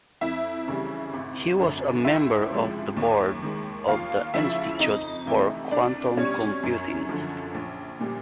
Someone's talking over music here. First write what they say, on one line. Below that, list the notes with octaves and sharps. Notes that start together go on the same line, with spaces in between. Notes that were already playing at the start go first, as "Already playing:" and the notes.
He was a member of the board of the Institute for Quantum Computing.
F2 E4 E5
C#3 E3 G3
G#1
F#2 D3
C#2 E4 E5
C3 F3 G#3
D#2
D#3 G#3
D#2 F4 F5
C#3 F3 E4 E5
F2 D#4 D#5
C3 E3 A3
C2 D4 D5
B2 G3 C#4 C#5
F#2
D3 F3
A#1
A#2 G3